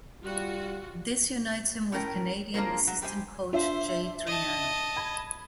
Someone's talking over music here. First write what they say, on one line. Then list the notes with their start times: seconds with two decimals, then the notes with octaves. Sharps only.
This unites him with Canadian assistant coach Jay Triano.
0.24 G3 F4 F#4
1.92 A2 C#4 A#4 G5
2.54 A#3 D4 F4 G#4 A#4 C5
2.87 F#3
3.02 G3 G4 C5 D5 G#5
3.53 D4 F4 C5 E5
4.26 D#5 A5
4.96 B5 G#6